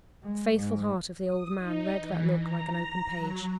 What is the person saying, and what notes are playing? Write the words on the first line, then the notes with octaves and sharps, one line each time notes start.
The faithful heart of the old man read that look like an open page.
G#3
G#2
D#6
D#4
E3
A#5
A#5
F#3